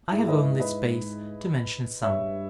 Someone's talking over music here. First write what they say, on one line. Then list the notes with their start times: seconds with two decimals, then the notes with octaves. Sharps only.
I have only space to mention some.
0.12 G#2 E4 G#4
0.28 B4 D#5
0.60 B4 D#5
2.03 G2 C#5 E5